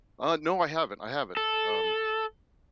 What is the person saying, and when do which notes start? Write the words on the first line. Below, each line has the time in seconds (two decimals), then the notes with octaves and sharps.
Uh, no, I haven't, I haven't, um
1.37 A4